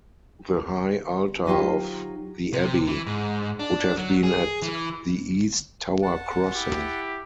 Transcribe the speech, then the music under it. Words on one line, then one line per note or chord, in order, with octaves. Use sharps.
The high altar of the abbey would have been at the east tower crossing.
F#3 D#4 F4 G4 C5
C3
E3
G#2
D4
F#3
G#4
E3
F#5 A5
E4 G4